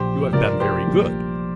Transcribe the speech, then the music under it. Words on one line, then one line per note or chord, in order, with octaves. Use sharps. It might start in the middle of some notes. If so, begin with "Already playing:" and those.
You have been very good.
Already playing: A#1 A#2 F3 G4 C5
F1 F2 F3 D4 F4 A#4 D5
G4 C5
A#1 A#2 G3 A#3